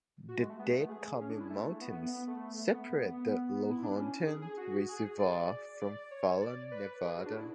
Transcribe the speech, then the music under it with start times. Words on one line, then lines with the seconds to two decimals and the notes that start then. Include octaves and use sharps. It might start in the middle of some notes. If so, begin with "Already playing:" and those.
The Dead Camel mountains separate the Lahontan Reservoir from Fallon, Nevada.
0.28 F#4
0.38 G#3
0.49 A3
0.59 B3
0.69 A3
0.79 A3
0.89 G#4
1.21 C#4
1.30 D4
1.40 E4
1.50 A3
1.81 B3
2.13 B3
2.27 A3
2.74 B3
3.04 B3
3.70 E4
3.83 D4
3.97 C#4
4.26 G#4
4.42 G#4
4.57 F#4
4.88 G#4
5.19 D5
5.80 D5
6.11 C#5
6.41 D5
6.71 B4
7.02 G#4
7.18 F#4
7.26 D4
7.33 E4